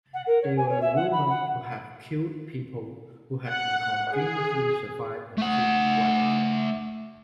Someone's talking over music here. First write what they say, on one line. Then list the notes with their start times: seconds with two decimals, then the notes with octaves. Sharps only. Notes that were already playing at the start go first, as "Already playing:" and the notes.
They were rumored to have killed people who had inconveniently survived a shipwreck.
0.13 F#5
0.26 A#4
0.41 C#5
0.56 G#5
0.69 C#5
0.81 E5
0.95 F#5
1.11 B5
1.29 F#5
3.49 F#5
4.14 G#4
5.38 A3 F#5